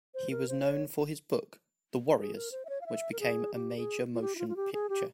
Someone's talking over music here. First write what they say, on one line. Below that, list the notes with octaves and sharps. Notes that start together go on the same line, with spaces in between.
He was known for his book "The Warriors" which became a major motion picture.
C5
A#4
C5
C#5
G#4
A#4
C5
E5
C#5
F5
E5
A#4
G#4
G4
G#4
F4
G4
E4
F4
F4
G4
G#4
G4